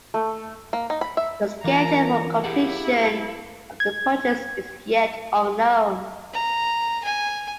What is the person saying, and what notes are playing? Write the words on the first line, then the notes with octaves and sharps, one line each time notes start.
The schedule for completion of the purchase is yet unknown.
A3
A#3
D#4
B5
E5
E3 A#3 F4 A#5
E4 G4 G#4 F#5
G#6
A#5
G#5